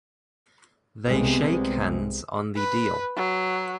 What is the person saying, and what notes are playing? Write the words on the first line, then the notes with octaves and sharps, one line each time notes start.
They shake hands on the deal.
C2 C3 G#3 B3
B4
F#3